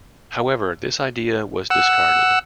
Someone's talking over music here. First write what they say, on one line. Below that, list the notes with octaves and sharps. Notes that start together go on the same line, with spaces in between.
However, this idea was discarded.
F#5 E6